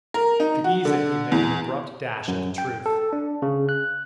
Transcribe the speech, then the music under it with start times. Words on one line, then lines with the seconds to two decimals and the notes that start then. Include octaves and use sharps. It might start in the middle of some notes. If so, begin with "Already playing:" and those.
To ease it he made an abrupt dash at the truth.
0.14 A#4
0.40 D#4
0.64 F#4
0.85 D3
1.32 E2
2.28 F#2
2.58 G5
2.86 A4
3.13 D4
3.42 C#3
3.69 F#6